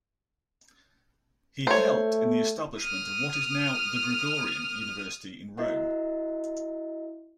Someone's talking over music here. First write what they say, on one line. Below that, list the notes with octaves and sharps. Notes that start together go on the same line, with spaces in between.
He helped in the establishment of what is now the Gregorian University in Rome.
A3 C5 C#5
D#6 F6
E4 F#4 A#4 D#5 E5 F#5